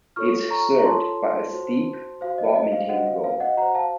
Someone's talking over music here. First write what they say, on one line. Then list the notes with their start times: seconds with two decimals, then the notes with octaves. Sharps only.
It is served by a steep, well maintained road.
0.16 F4 A4 C#5 C#6 F6
0.51 A#5 C#6
0.79 A#5
0.85 F4 A4 C#5 A5 C6
1.53 F#4 C5
2.21 F#4 C5 F5
2.38 D#5
2.55 D#5
2.72 F5
2.89 F#4 C5 D#5 F#5
3.06 F5
3.24 F5
3.40 D#5 F#5
3.57 F#4 C5 F#5 A#5
3.75 F5 A5